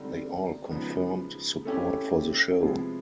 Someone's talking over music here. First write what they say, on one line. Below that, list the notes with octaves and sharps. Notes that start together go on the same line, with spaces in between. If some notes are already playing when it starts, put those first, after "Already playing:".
They all confirmed support for the show.
Already playing: D3 G3 C4 D#4
C#3 F3 G#3 B3 D#4
A3 C#4 E4 G4
C3 F3 G#3 B3 E4